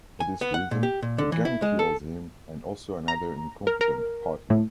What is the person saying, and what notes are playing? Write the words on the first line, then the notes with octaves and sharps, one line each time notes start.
For this reason, the gang kills him and also another incompetent partner.
G#5
B3
F#5
A#2
G4
A#2
D3
E3
E4
G#3
A4
A#5
A#4
A#4
A2